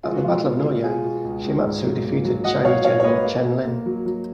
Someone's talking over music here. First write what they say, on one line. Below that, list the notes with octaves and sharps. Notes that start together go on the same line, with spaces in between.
At the Battle of Noryang, Shimazu defeated Chinese general Chen Lin.
G#3 F4
F#4
B2 F4
B3
B2
B2 F4 G#4
B2
C#2
C#2
G#2
F#3
A#3
F#3
F#3 D#5 F#5
F#3 C#5 F5
F#3 C#5 F5
C#5
A#3 B4 D#5
A#3
A#3
A#3
F#3
F#3